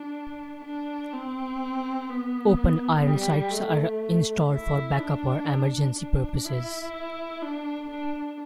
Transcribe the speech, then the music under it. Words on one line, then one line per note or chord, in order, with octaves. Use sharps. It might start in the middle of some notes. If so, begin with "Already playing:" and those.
Open iron sights are installed for backup or emergency purposes.
Already playing: D4
D4
C4
B3
G3
A3
E4
D4
D4
E4
D4
D4